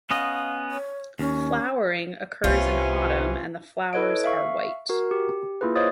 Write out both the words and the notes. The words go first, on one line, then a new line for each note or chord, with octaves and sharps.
Flowering occurs in autumn and the flowers are white.
B3 C#4 D#5 F5
C#5
D#2 C#4
C2 C3 E3 A#3 C#4 F4
E4 A4 B4 C#5 D#5 D7
E5 F5 C#6
F#4 A#4
G4
A#3 E4 F4 G#4 B4
C5 C#5 D#5 F5 D#6 A6